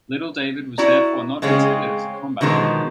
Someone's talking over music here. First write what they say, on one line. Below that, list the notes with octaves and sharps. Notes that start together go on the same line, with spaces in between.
Little David was therefore not intended as a combat weapon.
E4 F#4 D5 A#5
C#3 G#3 C4 C#4 G#4
B2 D3 D#3 F3 G#3